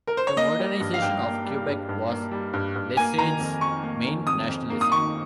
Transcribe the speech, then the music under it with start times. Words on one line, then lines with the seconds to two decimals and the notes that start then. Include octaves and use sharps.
The modernization of Quebec was Lesage's main nationalism.
0.07 A#4
0.17 C5
0.27 C#5
0.37 A#3 D#5
0.59 G3
0.80 G2
0.94 F5
1.02 G2 G5
1.23 A#3
1.46 G3
1.66 G2
1.89 G2
2.10 A#3
2.31 G3
2.54 G2
2.76 G2
2.97 A#3 G#5
3.18 D#3 A#5
3.40 F2
3.61 F2 C#6
3.83 A#3
4.05 D#3
4.27 F2 D#6
4.48 F2
4.70 A#3
4.81 D#6
4.92 D#3 C#6